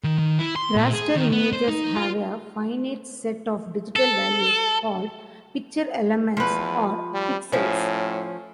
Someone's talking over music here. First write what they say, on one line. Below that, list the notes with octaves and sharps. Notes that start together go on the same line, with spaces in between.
Raster images have a finite set of digital values, called "picture elements" or pixels.
D#3
D#3
E4
C6
A#2
G#4
D#3
B3
C5
D#4
F4
A4
E2 F3 B4
G3
A2 F3 C#4